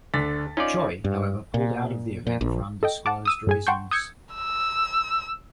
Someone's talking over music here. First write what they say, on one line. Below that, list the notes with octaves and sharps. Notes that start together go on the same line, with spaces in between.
Choi however pulled out of the event for undisclosed reasons.
D2 D3 A6 B6
C#4 D#4 F4 D5
G2
A#2
A#2
A#1
A4 D#5 G5
F#5 A5 D6
D#6 E6 D#7
G2 G#4 G#5
F#5 G5 A5 C6 C#6 G6
D#6 E6 G6 G#6 C#7
E6